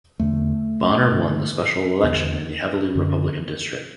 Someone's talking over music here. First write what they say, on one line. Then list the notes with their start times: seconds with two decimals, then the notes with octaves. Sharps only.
Bonner won the special election in the heavily Republican district.
0.20 E2 D3 A3
1.12 G2 D3
2.04 E2 D3 B3
2.95 F#2 D3